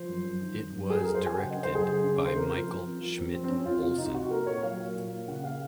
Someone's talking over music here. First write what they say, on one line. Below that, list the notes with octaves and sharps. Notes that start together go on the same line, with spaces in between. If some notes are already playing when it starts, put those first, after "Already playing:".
It was directed by Michael Schmidt-Olsen.
Already playing: F3 C5
F#2
F#2
D#3
F#2
F#2
F#3 G#4
F#2 A#4
C5
F#3 G#5
C#3 F#5
D#5
C#3
C5
F#2 G#4
C#3
C#3
C#3
C5
C4 A#4
F3
F3
C4
F3
C4
F2 C4
C4
F2 C#4
F2 F4
C3 F4
C3 D#4
C3 F#4
A#3 A#4
A#2 C#5
F#3 F5
A#3
A#2
A#3
C#3 F#5
A#3 F5